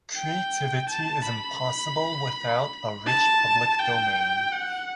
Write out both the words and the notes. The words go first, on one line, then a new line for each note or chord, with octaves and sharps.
Creativity is impossible without a rich public domain.
G5
A5
B5
A5
G5
F#5